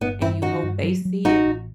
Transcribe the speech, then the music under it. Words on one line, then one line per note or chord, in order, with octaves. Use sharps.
and you hope they see it,
G1 B3 D#4
G2 C4 E4
D#3 D#4 F#4
G2
F#3
F#3
A1 D#4 F#4
A1